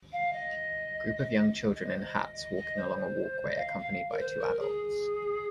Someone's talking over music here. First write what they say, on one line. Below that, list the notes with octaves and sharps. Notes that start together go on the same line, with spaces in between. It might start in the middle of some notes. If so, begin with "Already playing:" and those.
A group of young children in hats walking along a walkway accompanied by two adults.
F5
D#5
D#5
C5
D#5
D#5
D#5
C5
D#5
F5
F5
A#4
C5
A#4
G#4